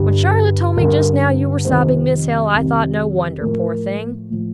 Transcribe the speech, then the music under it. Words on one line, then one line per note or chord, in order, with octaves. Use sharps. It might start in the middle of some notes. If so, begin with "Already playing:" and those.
When Charlotte told me just now you were sobbing, Miss Hale, I thought, no wonder, poor thing!
Already playing: G2 D3 G3
G2 D3 G3 A#4
F2 C3 D#3 G3 C5
F2 C3 D#3 G3
A2 F3 A#4
A2 F3